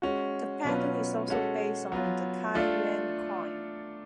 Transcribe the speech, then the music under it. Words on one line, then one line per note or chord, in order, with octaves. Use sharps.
The pattern is also based on the Kai Yuan coin.
G#3 C#4 F#4
B2 F#3 C#4 F4 B4
G#3 C#4 F#4 A4
F#3 B3 F4
A3 D4 F4 A4